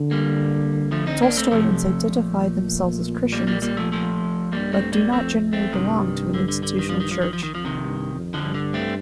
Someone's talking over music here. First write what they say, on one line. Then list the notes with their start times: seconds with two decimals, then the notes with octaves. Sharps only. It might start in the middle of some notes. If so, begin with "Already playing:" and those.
Tolstoyans identify themselves as Christians, but do not generally belong to an institutional Church.
Already playing: D3
0.11 G3 A#3
0.92 F3 A3
1.07 C4 D#4
1.22 A#3 D4
1.37 A3 C4
1.52 C3 F3 A3
2.12 A#2
3.32 G3 A#3
3.47 G3 A#3
3.62 G3 A#3
3.77 F3 A3
3.92 F3 A3
4.52 G2 G3 A#3
4.73 A3 C4
4.92 G3 A#3
5.12 F2 A3 C4
5.53 A3 C4
5.73 G2 C3 D#3
6.34 D3
6.48 D3
6.63 D3
6.79 D#3
6.89 F3
7.00 D#3
7.11 F3
7.22 D#3
7.33 F3
7.43 D#3
7.54 F2 F3
7.65 C3 D#3
7.84 G2
8.14 F2
8.34 D3 F3
8.44 G2
8.54 D3
8.74 A3 C4